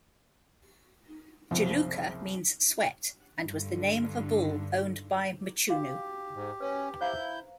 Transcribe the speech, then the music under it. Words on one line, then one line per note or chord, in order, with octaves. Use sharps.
Juluka means "sweat", and was the name of a bull owned by Mchunu.
F#1 C2 F3
G2 D3
F#4 G4 F5
G#2
C#4 B4
E4 C5 F5 A#5 G6